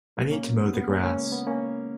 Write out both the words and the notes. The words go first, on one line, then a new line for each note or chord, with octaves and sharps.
I need to mow the grass.
A#2 F#3 A#3 C#4
A#3 C#4
B3
B3
B3
A#3 C#4
C#3 G#3 A#3 C#4
B3
B3
A#3 C#4